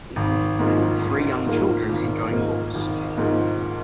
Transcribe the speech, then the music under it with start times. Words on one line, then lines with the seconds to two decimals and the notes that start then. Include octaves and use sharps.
Three young children enjoying books.
0.16 G#1
0.59 G#2 F3 A#3
1.02 G#1
1.46 G#2 F3 A#3
1.89 G#1
2.32 G#2 F3 A#3
2.74 G#1
3.18 G#2 F3 A#3